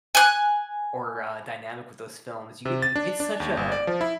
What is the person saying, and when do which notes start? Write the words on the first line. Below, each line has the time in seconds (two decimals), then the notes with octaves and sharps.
or uh, dynamic with those films. You get you get such, uh,
0.15 G#5 F#6
2.65 C3
2.82 A6
2.96 D4
3.20 D4
3.40 D#2
3.57 G1
3.72 D5
3.87 F3
4.01 E4